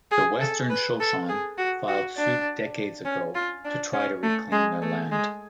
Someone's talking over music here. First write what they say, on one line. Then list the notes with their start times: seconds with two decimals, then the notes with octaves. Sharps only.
The Western Shoshone filed suit decades ago to try to reclaim their land.
0.11 G#4
0.41 A4
0.70 B4
1.00 A4
1.29 G#4
1.58 F#4
1.88 F#4
2.17 D4
3.05 C#4
3.35 F4
3.65 D4
3.93 C#4
4.23 A3
4.52 G#3
4.82 A3
5.12 G#3